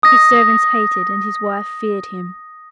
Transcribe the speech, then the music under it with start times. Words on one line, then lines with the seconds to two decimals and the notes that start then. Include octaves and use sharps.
His servants hated, and his wife feared him.
0.03 D#6 A#6